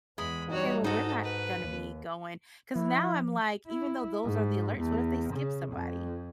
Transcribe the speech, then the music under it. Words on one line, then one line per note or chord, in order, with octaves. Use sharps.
Okay, well, we're not gonna be going 'cause now I'm like, even though those are the alerts, what if they skip somebody?
E2 G#3 B5
G3 D#4 F#4 C#5
G#2 D#4 F#4 A4 D#5
B4
D#2
F3 E4
E4
G#2
E2
C#3
F2